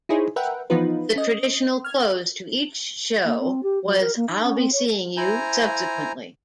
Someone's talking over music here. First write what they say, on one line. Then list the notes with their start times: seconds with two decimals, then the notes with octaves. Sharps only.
The traditional close to each show was "I'll be seeing you subsequently.".
0.09 D#4 E4 G#4 C5 C#5
0.36 A#4 B4 E5 F#5 G5
0.70 E3 F3 B3 D#4 F4 B4
1.16 C#4 D#5
1.85 F6 G#6
3.24 A#3
3.40 C4
3.62 G4
3.84 F#3
3.99 A#4
4.16 A#3
4.28 D#4
4.43 C#4
4.58 C4
4.72 C#5
5.17 E4 C5 G#5 A#5